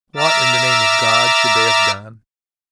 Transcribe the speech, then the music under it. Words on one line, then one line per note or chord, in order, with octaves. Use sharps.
What, in the name of God, should they have done?
E5 A#5 D6 E6 F6 A6